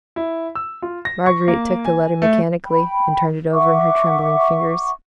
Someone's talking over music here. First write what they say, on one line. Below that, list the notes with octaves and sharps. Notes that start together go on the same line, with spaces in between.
Marguerite took the letter mechanically, and turned it over in her trembling fingers.
E4
E6
F4
A#6
C#6
A#3
G#5
A3
G5 B5
E5 F#5 C#6 D6